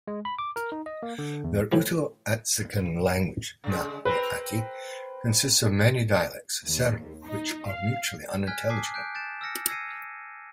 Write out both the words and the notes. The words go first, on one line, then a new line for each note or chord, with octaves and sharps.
Their Uto-Aztecan language, Nahuatl, consists of many dialects, several of which are mutually unintelligible.
G#3
B5
D6
A#4
D#4
D#5
A#3
D3
E2
A2 E3 F3 G3
C#3 G#3
C4 A#4 B4
D#2
D#4
F5
G#5 F6 F#6 G#6 B6
G#5 A5 D6 D#6 B6 C7
F#6 G6 D7
G6 A6 D7 E7
E6 F6 A#6 C#7
E6 G#6 A#6 C7 C#7 D#7